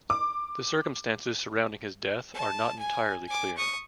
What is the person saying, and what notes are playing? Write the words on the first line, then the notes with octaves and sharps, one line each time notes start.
The circumstances surrounding his death are not entirely clear.
D6
A5
G#5
G#5 D6
C#6 D#6